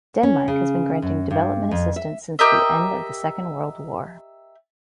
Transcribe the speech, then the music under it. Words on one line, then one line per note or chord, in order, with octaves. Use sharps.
Denmark has been granting development assistance since the end of the Second World War.
C#4
C#3
F#2
G2
F2
E5
G4 A#4 D#5 E5